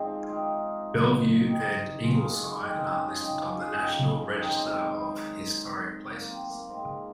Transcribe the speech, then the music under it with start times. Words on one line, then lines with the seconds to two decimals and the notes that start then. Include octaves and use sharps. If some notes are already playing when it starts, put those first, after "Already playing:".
Belleview and Ingleside are listed on the National Register of Historic Places.
Already playing: G#2 F3 C4
0.23 F4
0.29 D#4 G4
1.46 D#4 G4
2.03 G#2 D#3 F4 G#4
2.63 D#4 G4
2.79 C4
2.89 C#4
3.00 D#4
3.11 F4
3.20 D#4 G4
3.40 C#4 F4
3.59 F4 G#4
3.71 G#4
3.78 D#4 G4
4.36 G#2 D#3 D#4 G4
4.56 C4
4.75 C4
6.11 A#3
6.30 C4
6.50 A#3
6.70 G#2 F3 C4